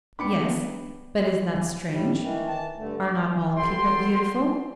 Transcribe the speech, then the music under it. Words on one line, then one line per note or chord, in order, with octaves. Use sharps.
"Yes; but is that strange--are not all people beautiful?"
B3 D4 G5 B5 D6 C#7
A2 G3
D#3 E3
A5
G2 D3 A3
D5
G3 B3 A4 G5 C6